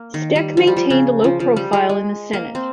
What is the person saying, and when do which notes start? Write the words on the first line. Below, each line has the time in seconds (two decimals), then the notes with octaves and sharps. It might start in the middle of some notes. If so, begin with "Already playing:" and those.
Steck maintained a low profile in the Senate.
Already playing: A#3
0.14 D#3
0.36 G3
0.57 F3
0.67 G3
0.77 F3
0.90 C#3
1.24 F3
1.40 F3
1.56 G3
1.73 G#3
1.89 G#3
2.33 A#3
2.55 C4